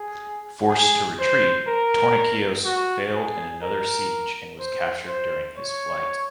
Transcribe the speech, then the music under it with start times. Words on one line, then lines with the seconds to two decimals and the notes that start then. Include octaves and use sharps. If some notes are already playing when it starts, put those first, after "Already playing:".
Forced to retreat, Tornikios failed in another siege and was captured during his flight.
Already playing: G#4
0.69 G#4
1.19 C5
1.67 A#4
2.65 F#4
3.14 G#4
3.63 A#4
4.59 C5
5.08 C5
5.57 C#5